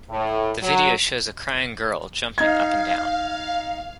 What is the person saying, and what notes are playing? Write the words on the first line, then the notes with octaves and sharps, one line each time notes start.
The video shows a crying girl jumping up and down.
A2
F#3
D#4 F5 G#6